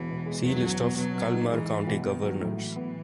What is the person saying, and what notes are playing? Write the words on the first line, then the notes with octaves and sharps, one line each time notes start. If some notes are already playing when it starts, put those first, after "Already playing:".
See List of Kalmar County Governors.
Already playing: E1 E3
B2
G#3
E2 F#3
E1
B2
B2 F#3
B2
D#4
E3 G#3
G#3
B1
D#3 B3
F#3
A2
E3 F#3
B3